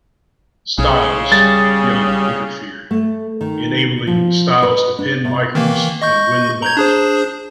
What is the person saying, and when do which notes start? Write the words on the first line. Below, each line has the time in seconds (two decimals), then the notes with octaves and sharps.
Styles, Young interfered, enabling Styles to pin Michaels and win the belt.
0.78 B1 C#3
1.32 G3 A6
2.91 A3
3.41 D#3
4.07 F3
4.63 B4
4.99 D4
5.25 C3
5.55 D#3 E3 A#3
6.02 D#5 C#6 G6
6.62 A#5 G6 G#6
6.77 D4 G#4 C5